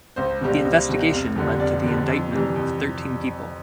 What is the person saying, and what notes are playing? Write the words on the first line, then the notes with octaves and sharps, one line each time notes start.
The investigation led to the indictment of thirteen people.
C#2 C5
B2 G3
C#2
B2 G3
F1
F2 D3 G3
F1 D5
F2 D3 G3
F2
C3 E3 G3
F2
C3